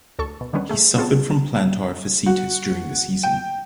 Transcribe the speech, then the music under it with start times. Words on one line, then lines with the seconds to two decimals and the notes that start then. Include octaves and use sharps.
He suffered from plantar fasciitis during the season.
0.19 D2 A4 C#6
0.41 B2
0.53 D3 D#3 G3 B3 C#4
0.69 A3 G#4
0.97 B3 C4 F4 G#4 C#5 A5
2.26 F#4
3.23 G5